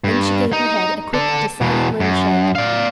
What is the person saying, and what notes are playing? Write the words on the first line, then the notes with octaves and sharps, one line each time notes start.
Then she gave her head a quick decided little shake.
G2
D#4
A4 D5
E2 B2
F#2
D5 F5